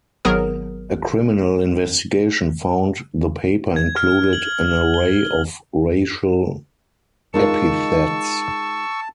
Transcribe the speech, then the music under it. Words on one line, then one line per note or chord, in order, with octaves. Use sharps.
A criminal investigation found the paper included an array of racial epithets.
G#1 F#3 B3 G#4 A#4 D#6
G#6
F6
F#7
G7
G#3 D#4 F4 A#4 A5 C#6 E6